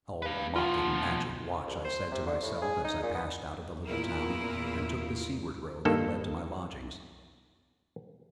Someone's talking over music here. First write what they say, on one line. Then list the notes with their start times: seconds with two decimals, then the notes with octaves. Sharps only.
"Oh mocking Magic Watch!" I said to myself, as I passed out of the little town, and took the seaward road that led to my lodgings.
0.22 B4 F5
0.56 B2 F3 F4
1.67 C2
1.85 C5
2.12 C3
2.26 D3
2.42 A2
2.62 G#4
2.84 D#4
3.03 A#2
3.14 B3
3.87 E2 A#2 E4 F4 A#4
5.85 G2 D#3 A#3 A4